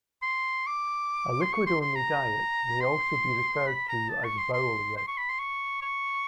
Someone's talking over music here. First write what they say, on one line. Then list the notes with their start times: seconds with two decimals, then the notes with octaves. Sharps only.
A liquid-only diet may also be referred to as bowel rest.
0.23 C6
0.67 D6
1.41 C6
1.53 C#6
1.67 C6
1.81 C6
1.95 A#5
2.81 C6
3.67 B5
3.89 A#5
4.10 A5
4.24 C#6
4.38 C6
4.53 C6
4.97 C6
5.08 C#6
5.18 B5
5.29 C6
5.39 C#6
5.82 C#6